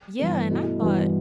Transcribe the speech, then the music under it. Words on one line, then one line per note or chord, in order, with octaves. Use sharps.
Yeah, and I thought
G2 E3 G3 B3
B2 A3 E4
G2 E3 G3 B3 F#4